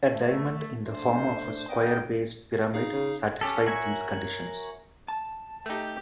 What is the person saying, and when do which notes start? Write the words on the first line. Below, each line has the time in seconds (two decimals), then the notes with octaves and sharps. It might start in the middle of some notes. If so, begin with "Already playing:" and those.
A diamond in the form of a square-based pyramid satisfied these conditions.
0.10 A3
0.85 A3 D4 C5
1.68 B3 C#4 A#4 D5 D#5 G5
2.74 D#4 G#4 F5
2.93 C#3
3.41 C#4 G4 A4
3.66 F#4 A#4 C#5 E5 G#5
5.08 A5
5.66 A3 D#4 G4